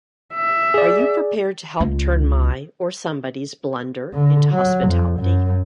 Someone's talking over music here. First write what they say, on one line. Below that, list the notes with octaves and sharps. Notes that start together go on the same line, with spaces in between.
Are you prepared to help turn my, or somebody's, blunder into hospitality?
E5
G#4 D5
C#2 F4
D3
F#3
F2
F#2